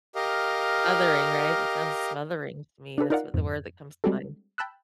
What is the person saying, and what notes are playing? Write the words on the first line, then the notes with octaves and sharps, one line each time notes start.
Smothering, right? That sounds smothering to me, that's what the word that comes to mind.
G4 A#4 D#5 F5
D4 G4 A4 B4
D#4 F4 A#4 D5 F5 F#5
F2 G#2
G3 G#3 C4 D4 F#4 A4
G5 A5 B5 E6 F#6